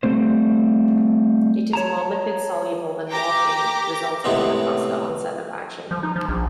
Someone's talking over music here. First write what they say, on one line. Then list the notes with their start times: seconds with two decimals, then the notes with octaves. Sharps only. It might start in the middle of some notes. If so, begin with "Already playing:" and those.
It is more lipid-soluble than morphine, resulting in a faster onset of action.
0.03 G3 A3 C4 C5
1.73 C#5 A5 A#5
3.10 G4 G5 A#5 D6
4.24 A2 C3 G#3 B3 C4
5.91 F3
6.03 D#4
6.16 F3
6.28 A#1